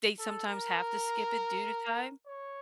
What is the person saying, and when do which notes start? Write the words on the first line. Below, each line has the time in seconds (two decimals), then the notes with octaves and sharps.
they sometimes have to skip it due to time.
0.19 A4
0.48 A#4
2.27 C#5